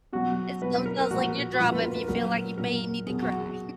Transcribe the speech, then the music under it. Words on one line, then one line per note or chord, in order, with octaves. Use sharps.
And sometimes like your drama if you feel like you may need to cry.
B2 F#3 F#4
B2 F#3 B4
B4
A#4
A#4
A#2 F3 F#4
F#4
A#2 F3 F4
B4
A#4
B4
A#2 F#3 A#4
A#2 F#3 A#4
B2 F#3 G#4
F#4